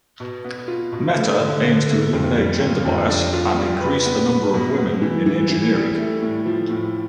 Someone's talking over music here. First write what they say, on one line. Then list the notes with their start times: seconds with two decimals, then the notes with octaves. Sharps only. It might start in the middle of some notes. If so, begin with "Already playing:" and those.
Mehta aims to eliminate gender bias and increase the number of women in engineering.
0.20 B2
0.44 B3
0.68 F4
0.92 B2
1.16 A3
1.41 D3
1.64 D3
1.89 A3
2.13 F2
2.37 G3
2.61 F2
2.85 F2
3.09 D4
3.33 F4
3.57 G3
3.81 B4
4.05 B3
4.29 B4
4.54 B2
4.78 B3
5.02 E3
5.26 E3
5.50 E3
5.74 G3
5.97 A3
6.22 A2
6.45 F3
6.70 A2